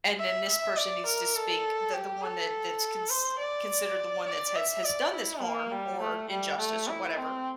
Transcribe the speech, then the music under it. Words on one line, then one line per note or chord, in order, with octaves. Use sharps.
And then this person who's to speak the the one that that's cons considered the one that has has done this harm or injustice or whatever,
E5
E5
D5
A#4
A4
G4
A4
C5
D5
D5
E5
D5
E4
A#3
G3
A3
G3
A3
E4
C4